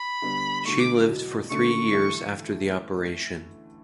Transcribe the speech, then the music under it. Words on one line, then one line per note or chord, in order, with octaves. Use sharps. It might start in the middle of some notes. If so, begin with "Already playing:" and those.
She lived for three years after the operation.
Already playing: B5
D3 G3 B3
B5
D3 F#3 A3 C#6
D6
E2 B2 F#3
D3 F#3 A3 C#4 C#6
A2 E3 A3